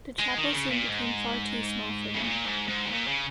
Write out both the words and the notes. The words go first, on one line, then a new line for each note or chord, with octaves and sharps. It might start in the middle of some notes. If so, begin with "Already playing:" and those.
The chapel soon became far too small for them.
G#3
D#3
C#3
A#2
G#2
C#3
A#2
G#2
G#2
C#3
A#2
C#3